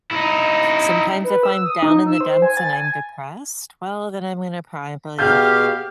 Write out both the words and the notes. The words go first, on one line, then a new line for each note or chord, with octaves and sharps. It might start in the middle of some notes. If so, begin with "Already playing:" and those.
Sometimes if I'm down in the dumps and I'm depressed, well, then I'm gonna probably
D#4 E4
B4
E6
D#6
D#4
E6
C5
G#5
A6
G#5
B2 G4 G#4 F5 F6 G6